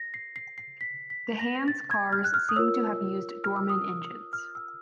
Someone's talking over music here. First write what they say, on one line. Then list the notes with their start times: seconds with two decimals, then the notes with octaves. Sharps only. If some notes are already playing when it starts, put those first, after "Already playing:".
The Hands cars seem to have used Dorman engines.
Already playing: A#6
0.14 C7
0.36 C7
0.58 C7
0.81 B6
1.10 B6
1.39 A#6
1.68 A6
1.91 G#6
2.12 F6
2.24 F#6
2.34 F6
2.49 D#6
2.56 F4 A#4 C#5 E6
3.44 F6
3.56 E6
3.69 D#6
3.82 E6
4.33 F6
4.55 E6